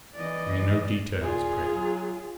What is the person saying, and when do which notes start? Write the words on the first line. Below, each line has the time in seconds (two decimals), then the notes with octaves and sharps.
Only no details, pray.
0.15 E3 D5 D#5
1.21 A#2 F4 G#4
1.71 F#3